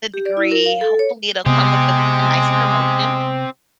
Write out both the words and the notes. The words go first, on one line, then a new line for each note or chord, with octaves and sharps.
the degree, hopefully it'll come with a a nice promotion,
G4
D5
E4
A#4
F5
A4
C#5
C3 G#3 B3 C4 G4